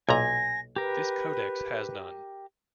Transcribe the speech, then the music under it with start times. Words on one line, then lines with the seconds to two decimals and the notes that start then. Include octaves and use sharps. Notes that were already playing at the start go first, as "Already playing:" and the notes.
This codex has none.
0.09 B1 A#2 G#5 A#5 A#6
0.76 G4 A#4 B4